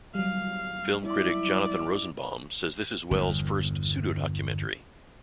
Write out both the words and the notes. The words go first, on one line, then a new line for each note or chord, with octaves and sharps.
Film critic Jonathan Rosenbaum says this is Welles' first pseudo-documentary.
F#3 G3 F5
E4 D5
G1 E2